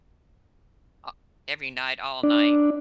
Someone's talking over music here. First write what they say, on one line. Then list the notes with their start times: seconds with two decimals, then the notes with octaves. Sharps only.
a every night, all night.
2.23 D4